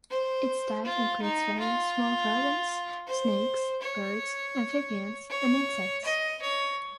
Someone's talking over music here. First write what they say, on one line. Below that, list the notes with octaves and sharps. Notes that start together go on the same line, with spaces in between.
Its diet includes various small rodents, snakes, birds, amphibians, and insects.
C5
F4
D#4
F4
C5
C#5
C#5
D#5
C#5